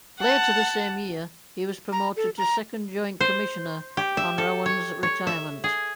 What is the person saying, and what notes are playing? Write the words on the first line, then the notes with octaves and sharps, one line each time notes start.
Later the same year, he was promoted to Second Joint Commissioner on Rowan's retirement.
F#5 A5
A#5
A4
A#5
C5
G4
E5
A4
C#5
C#5
E5
G#4